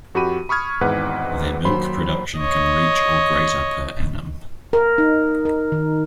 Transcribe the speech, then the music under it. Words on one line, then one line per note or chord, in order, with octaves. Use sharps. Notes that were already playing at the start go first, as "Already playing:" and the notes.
Their milk production can reach or greater per annum.
F2 F#4 G4 B5 D#7
B5 C#6 D#6 F6 G#6
G#1 E2 G#2 B4 F#5 D6
D#2 F#3 C5 B5 C6
C#5 D#5
A#4
D#4
A#4
D#3